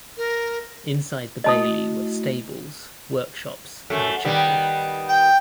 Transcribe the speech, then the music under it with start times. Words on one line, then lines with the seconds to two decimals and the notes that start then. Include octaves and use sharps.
Inside the bailey were stables, workshops, and a chapel.
0.17 A#4
1.44 A3 E4 F#4 D#5 A5 D#6
3.90 F#2 A3
4.25 D#3 G3 B3
5.09 G5